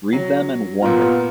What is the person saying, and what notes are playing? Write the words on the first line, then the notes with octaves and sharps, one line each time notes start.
Read them and wonder!
F#3
A#2 B3 F4 A#5